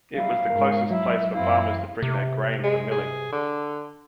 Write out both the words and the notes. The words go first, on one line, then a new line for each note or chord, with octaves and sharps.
It was the closest place for farmers to bring their grain for milling.
F#3 G3 E4 F5
G#2 B2 A#4
F#3 E4 E5
F#2 E3 C4 E4 F5
C3
G#3
G#4
D3